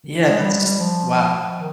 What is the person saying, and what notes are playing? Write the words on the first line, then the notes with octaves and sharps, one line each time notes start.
Yeah, that's wow.
G#3
G3
G3
G3
F3
D#3